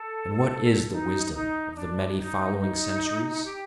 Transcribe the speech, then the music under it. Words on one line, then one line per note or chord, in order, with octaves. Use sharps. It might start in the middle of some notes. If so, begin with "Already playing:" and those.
And what is the wisdom of the many following centuries?
Already playing: A4
D#4
D#4
D4
D#4
D#4
G4